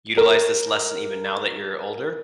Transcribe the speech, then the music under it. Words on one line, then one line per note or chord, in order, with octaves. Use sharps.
utilize this lesson even now that you're older?
A#4